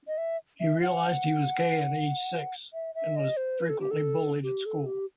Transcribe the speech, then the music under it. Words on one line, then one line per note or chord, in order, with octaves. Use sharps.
He realized he was gay at age six, and was frequently bullied at school.
D#5
E5
E5
F#5
E5
E5
D#5
C5
B4
A4
G4
A4
G4
A4
G4